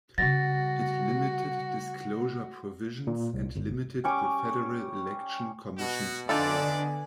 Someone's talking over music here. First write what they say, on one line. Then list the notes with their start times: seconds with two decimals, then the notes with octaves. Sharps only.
It limited disclosure provisions and limited the Federal Election Commission's power.
0.18 C#3 G3 F#4 A6 A#6
3.07 A#2
3.34 C2
3.56 G1
4.04 G3 C#4 C#6 D6
5.78 B2 F#4
6.29 D3 B3 D4 D#4 F4 A4 D5 G#5